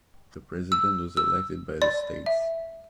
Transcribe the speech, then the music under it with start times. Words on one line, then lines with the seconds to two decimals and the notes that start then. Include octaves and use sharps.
The president was elected by the states.
0.72 E6
1.17 E6
1.82 D5
2.26 E5